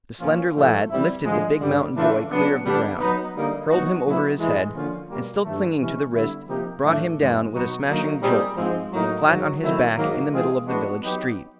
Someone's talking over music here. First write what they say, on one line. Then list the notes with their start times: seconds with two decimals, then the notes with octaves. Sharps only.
The slender lad lifted the big mountain boy clear of the ground, hurled him over his head, and still clinging to the wrist, brought him down with a smashing jolt, flat on his back in the middle of the village street.
0.20 A#2 F3 A#3 C#4 F4
0.56 A2 F3 A3
0.90 C3 E3 G3 C4 E4
1.25 D3 F3 G#3
1.60 G2 D3 G3
1.95 C#3 E3 A3 D4 F4
2.30 C#3 F#3 B3 D4
2.64 D3 G3 B3 D4
2.99 F#3 B3 D#4
3.35 D3 G3 A#3 D#4
3.69 A#2 F#3 B3 D#4 F#4
4.03 A#2 F#3 B3 E4
4.39 A2 E3 G#3
4.73 D3 F3 A#3 C#4 F4
5.09 B2 G3 A#3
5.44 G2 D#3 F#3 A3
5.78 C3 E3 G#3 C#4
6.13 D3 G3 B3 E4
6.48 C3 F3 A#3 D#4 G4
6.82 A2 F#3 A3 D4
7.18 F#2 D#3 G#3 B3
7.52 B2 F#3 B3 D#4 F#4
7.87 D3 F#3 A#3 D#4
8.22 A#2 G3 C4 D#4 G#4
8.57 G#2 F3 G#3 C4
8.91 A2 F#3 A#3 D#4
9.27 G#2 D#3 F#3
9.61 D#3 F#3 A3 C4 E4
9.96 G#2 D#3 F#3 A#3
10.31 E3 G#3 C4 F4 G#4
10.66 E3 G#3 B3 D4 F#4
11.02 F#3 B3 D#4 G4